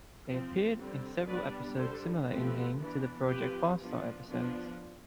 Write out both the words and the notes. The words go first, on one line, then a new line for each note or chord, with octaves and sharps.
They appeared in several episodes similar in vein to the Project Farstar episodes.
F3 C4
D3 G3 C4
G3 B3 D4 B4 D5
D3 G3 D4 A4 C5
F3 A3 C4 G4 B4
E3 B3 D4
F3 C4 G4 B4
F3 B3 D4
F3 B3 D4